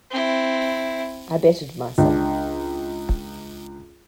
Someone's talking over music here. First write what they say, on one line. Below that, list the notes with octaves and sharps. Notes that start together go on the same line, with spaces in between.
I bettered myself.
C4 E4
C#2 D4